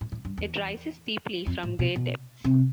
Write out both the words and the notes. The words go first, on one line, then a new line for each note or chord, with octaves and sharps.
It rises steeply from great depths.
A2
A2
G2
E2
F2
A2
B2
B2
C3